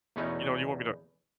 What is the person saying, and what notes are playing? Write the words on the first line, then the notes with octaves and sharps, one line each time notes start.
you know, "you want me to
E2 B2 A3 B3 C#4 D#4